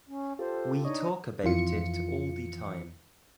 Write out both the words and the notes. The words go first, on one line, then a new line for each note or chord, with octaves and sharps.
We talk about it all the time.
C#4
F4 G4 A4 C5
D4 D#4 C#5 D#5
F2 E3 F4 C#7